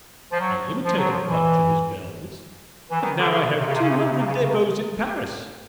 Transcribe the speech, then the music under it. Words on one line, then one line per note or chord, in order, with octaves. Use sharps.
I imitated Punch and his bells, and now I have two hundred depots in Paris.
F3
F#3
F3
F#3
F3
E3
E3
D#3
D3
C#3
C3
C#3
C3
C#3
C3
C#3
C3
C#3
C3
C#3
C3
C#3
C3